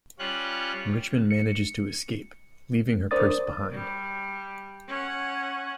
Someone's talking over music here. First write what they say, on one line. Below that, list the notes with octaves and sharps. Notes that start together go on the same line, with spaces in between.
Richman manages to escape, leaving her purse behind.
G3 C#4 F4 C#5 F#6
C#7
D4 A#4 C5 D5 D#6 A6
G3
C#4 F#5